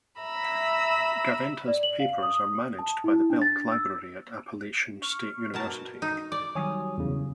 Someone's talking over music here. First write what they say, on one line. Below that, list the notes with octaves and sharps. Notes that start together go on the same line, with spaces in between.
Gaventa's papers are managed by the Belk Library at Appalachian State University.
E5 A#5 B5 E6
D5
F#7
F5
D#6
A5
E4
D4
A6
E6
C#6 F6
B2 A#4 A5
D#4
D5 D6
D#3 F#3 G3 C#5 G#5 D#6
E2 C#3